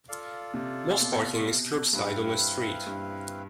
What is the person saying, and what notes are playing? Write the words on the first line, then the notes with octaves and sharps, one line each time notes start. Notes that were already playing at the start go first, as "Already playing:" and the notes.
Most parking is curbside on the street.
F4 A4 D5 F5
C3
B2
G2 C4 E4 B4 F5
G2